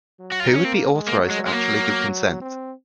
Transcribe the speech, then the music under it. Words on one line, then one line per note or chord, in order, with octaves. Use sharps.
Who would be authorized to actually give consent?
F#3
F#4
F4
D#4
C#4
A#3 C4
G#3
A#3
F#3
G#3
G#3
F#3 A#3
C4